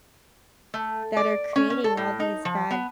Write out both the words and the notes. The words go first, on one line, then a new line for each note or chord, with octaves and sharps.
that are creating all these bad
A3
D5
C#4
C#4
A4
A2
D#4
F3
B3